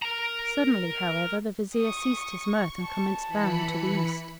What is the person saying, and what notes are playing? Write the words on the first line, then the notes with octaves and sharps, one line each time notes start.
Suddenly, however, the Vizier ceased his mirth, and commenced bowing to the east.
A#4 A#5
C#6 D#6
A5
E3 B5 C#7